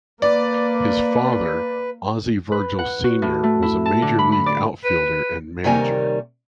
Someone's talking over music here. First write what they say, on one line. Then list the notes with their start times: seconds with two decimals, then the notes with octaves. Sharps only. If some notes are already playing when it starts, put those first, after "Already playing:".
His father, Ozzie Virgil Senior was a Major League outfielder and manager.
0.22 A#3 B4 D5
2.52 B4
2.79 F#5
3.04 F#4
3.22 A2
3.43 A3
3.62 E4
3.86 A5
4.02 D3
4.19 B5
4.32 B5
4.46 D5
4.85 B4
5.64 C3 D#3 G3 A#3 C#5 G#5